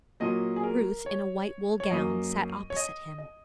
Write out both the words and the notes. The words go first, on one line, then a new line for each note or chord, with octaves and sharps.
Ruth, in a white wool gown, sat opposite him.
A#2 F#3 A#3 D#5
G#4
A#4
C#5
C#5
F#2 F#3 A#3 D#5
C#5
D#5
D#5